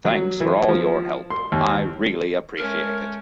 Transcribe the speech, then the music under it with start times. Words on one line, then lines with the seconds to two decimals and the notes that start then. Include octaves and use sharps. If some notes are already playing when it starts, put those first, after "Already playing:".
Thanks for all your help. I really appreciate it.
0.05 F#3
0.40 E3
0.68 F3
1.30 C6
1.52 D#2
2.57 G#3 A3 C#4 A#4 F6